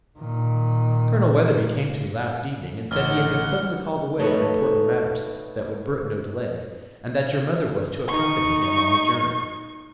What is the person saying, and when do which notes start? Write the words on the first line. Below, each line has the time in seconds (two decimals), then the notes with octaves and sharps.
Colonel Weatherby came to me last evening and said he had been suddenly called away on important matters that would brook no delay, and that your mother was to accompany him on the journey.
0.19 A#2 D#3
2.91 A1 F#5 F6 G7
4.19 A3 D#4 A4 B4 C#5
8.08 D#4 C#6